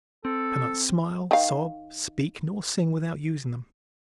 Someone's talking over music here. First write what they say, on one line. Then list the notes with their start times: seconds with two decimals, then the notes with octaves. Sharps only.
We can not smile, sob, speak nor sing without using them.
0.25 C4 A4
1.31 D#3 F5